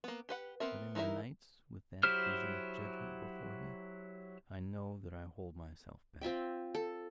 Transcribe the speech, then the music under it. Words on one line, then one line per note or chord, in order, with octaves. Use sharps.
But, in the nights, with that vision of judgement before me, I know that I hold myself back.
A#3 B3
G4 B4 F#5
B3 C4 A#4 E5
E3 D#4 E4 A#4 E5
F#3 E4 G4 C5 F6
C4 F4 E5 G5
A4